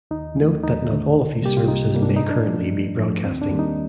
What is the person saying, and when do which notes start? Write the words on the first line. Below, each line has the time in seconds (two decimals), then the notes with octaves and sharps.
Note that not all of these services may currently be broadcasting.
0.11 D#2 D#4
0.37 D3 A3
0.63 D#2 D#4
0.90 D3 A3
1.15 C2
1.42 C3 G3 A#3 G4
1.57 F4
1.68 C2 D#4
1.94 C3 G3 A#3
2.03 D4
2.16 G2 D#4
2.30 D4
2.47 F3 A3
2.72 G2
2.98 F3 A3
3.25 D#2 C4
3.42 D4
3.51 D#3 G3 A#3
3.59 D#4